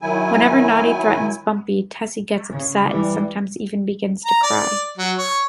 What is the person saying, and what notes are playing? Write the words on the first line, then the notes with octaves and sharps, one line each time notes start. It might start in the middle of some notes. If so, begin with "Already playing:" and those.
Whenever Noddy threatens Bumpy, Tessie gets upset, and sometimes even begins to cry.
D#3 F#3 E4 G#5
C#3
E3 G3
A#5
D5
F#3
C#5